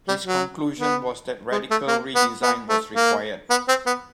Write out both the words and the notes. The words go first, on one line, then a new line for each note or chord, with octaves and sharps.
His conclusion was that radical re-design was required.
G3
F#3
B3
G#3
A3
A#3
B3
B3
A3
A#3
B3
C4
B3